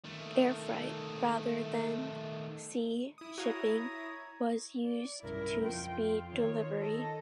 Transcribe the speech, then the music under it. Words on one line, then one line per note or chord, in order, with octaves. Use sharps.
Air freight, rather than sea shipping, was used to speed delivery.
D#3 A3
E4 D#6
F#4 C#5 F5 A#5
D5
B1 G2 C#3 E4 A#4
F2 F4 G5
D#3 C#5
A4 D#5